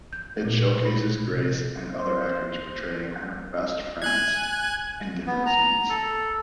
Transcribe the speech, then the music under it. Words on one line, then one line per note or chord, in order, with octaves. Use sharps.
It showcases Grace and other actors portraying her "best friends" in different scenes.
G6
A#2
B2
B5
C3
C5
G#5 F#6 G#6
B3
A#5
A4